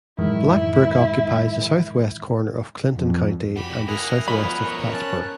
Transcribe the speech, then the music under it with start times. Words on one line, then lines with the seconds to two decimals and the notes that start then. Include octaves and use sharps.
Black Brook occupies the southwest corner of Clinton County and is southwest of Plattsburgh.
0.19 F#2 A2 D#3 E3 G#3 E4
2.93 F2
3.56 F#4 G4 B5
3.88 A#3 E4 F#5 G#5 D#6 F6
4.28 F3 B3 B5
4.62 A#4 C#5
4.93 C#4 A5 F#6